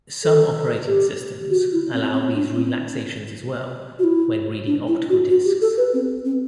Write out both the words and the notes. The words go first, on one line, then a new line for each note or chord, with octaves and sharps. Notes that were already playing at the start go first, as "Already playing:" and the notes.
Some operating systems allow these relaxations as well when reading optical discs.
A4
G4
F#4
E4
C4
C4
D4
C4
F#4
E4
D4
E4
F#4
F#4
G4
A4
B4
C4
C4